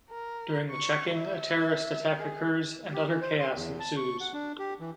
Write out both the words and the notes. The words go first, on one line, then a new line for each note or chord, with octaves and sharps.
During the checking, a terrorist attack occurs and utter chaos ensues.
A#4
C#6
E5
G#4
G4
E3
C5
C6
E2
A5
C#6
F#5
D4
G4
E3